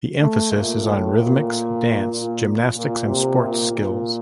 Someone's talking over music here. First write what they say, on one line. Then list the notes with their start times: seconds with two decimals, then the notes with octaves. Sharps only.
The emphasis is on rhythmics, dance, gymnastics, and sports skills.
0.20 A3
0.52 A#2
0.84 A2
1.17 A#2
2.12 A#2
2.76 A#2
3.08 C3
3.40 A#2
3.72 A#2